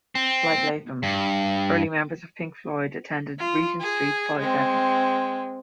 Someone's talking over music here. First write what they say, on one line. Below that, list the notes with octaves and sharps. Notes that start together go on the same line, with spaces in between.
Like Latham, early members of Pink Floyd attended Regent Street Polytechnic.
C4
G2
F4
G#4
G#3 C4